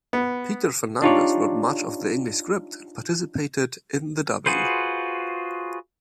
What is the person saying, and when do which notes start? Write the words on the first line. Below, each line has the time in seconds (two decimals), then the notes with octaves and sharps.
Peter Fernandez wrote much of the English script, and participated in the dubbing.
0.13 B3
1.02 D4 D#4 F4 G4 C#5 D5
4.46 F4 F#4 G#4 B4 C5